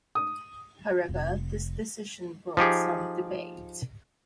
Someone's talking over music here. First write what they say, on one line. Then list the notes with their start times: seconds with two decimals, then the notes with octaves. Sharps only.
However, this decision brought some debate.
0.15 D#6
1.08 F1 F2
2.57 F3 D#4 G4 G#4